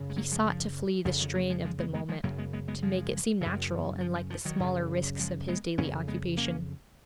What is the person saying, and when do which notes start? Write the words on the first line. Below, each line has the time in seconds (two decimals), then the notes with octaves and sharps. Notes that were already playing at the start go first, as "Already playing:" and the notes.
He sought to flee the strain of the moment, to make it seem natural and like the smaller risks of his daily occupation.
Already playing: F#2 C#3
0.10 G#3
0.16 F#3 A#3
0.31 F3 G#3
0.46 F3
1.05 F2 C#3 F3
1.20 D#3 F#3
1.35 F#3 A#3
1.50 F3 G#3
1.65 F3 G#3
1.79 G#3 B3
1.94 G#3 B3
2.09 F3 G#3
2.23 F#2 C#3 F#3 A#3
2.38 G#3 B3
2.53 G#3 B3
2.68 G#3 B3
2.82 F3 G#3
3.41 F#2 C#3
4.01 F3
4.15 F3
4.30 F3
4.45 D#3 F#3
4.60 F#2 C#3
5.19 F3 G#3
5.48 G#3 B3
5.78 F2 C#3 A#3 C#4
6.08 G#3 B3
6.37 A#3 C#4